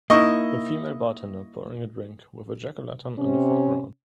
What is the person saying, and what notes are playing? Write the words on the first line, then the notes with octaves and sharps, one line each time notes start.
A female bartender pouring a drink, with a jackolantern in the foreground.
A#3 D#4 E4 D#5 C#6
C3 C#4